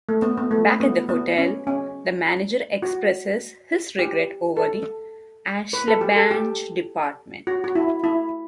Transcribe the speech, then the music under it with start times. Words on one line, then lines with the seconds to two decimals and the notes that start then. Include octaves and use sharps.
Back at the hotel, the Manager expresses his regret over Aschenbach's departure.
0.09 A3
0.22 B3
0.38 B3
0.51 A3
0.80 B3
1.09 B3
1.38 C#4
1.67 C#4
2.82 F#4
3.99 G4
4.57 A4
5.73 B4
5.88 A4
6.01 G4
6.16 A4
6.31 G4
7.47 F#4
7.64 F#4
7.75 E4
8.04 E4